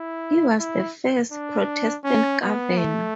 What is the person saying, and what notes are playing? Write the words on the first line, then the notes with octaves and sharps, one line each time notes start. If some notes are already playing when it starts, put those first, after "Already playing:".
He was the first Protestant Governor.
Already playing: E4
E4
D4
C#4
B3
A3